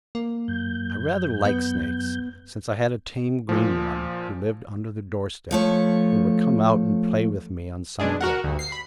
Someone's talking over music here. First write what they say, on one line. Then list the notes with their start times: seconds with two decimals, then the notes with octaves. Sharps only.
I rather like snakes, since I had a tame green one, who lived under the door-step, and would come out and play with me on sunny days.
0.15 A#3
0.48 F#2 G6
1.45 B3
3.49 A#2 F3
5.51 F3 A3 C#5
8.00 B2 G#3 D4 G#4
8.21 F#4 A#4 F#5
8.44 D2 G2
8.59 C7
8.72 B5